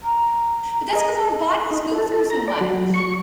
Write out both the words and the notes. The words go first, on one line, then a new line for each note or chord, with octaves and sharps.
but that's 'cause our bodies go through so much.
A#5
G#4 D#5
D#4
A4
A4
A#5
D5
F#3
C#6